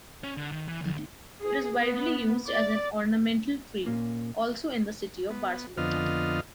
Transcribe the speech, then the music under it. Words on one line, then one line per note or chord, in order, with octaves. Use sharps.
It is widely used as an ornamental tree, also in the city of Barcelona.
C#4
D3
D#3
E3
D2
G#4
B3
D5
A#2 A#3 C#4
B3
F2 D3 B3 F4 D#5 F6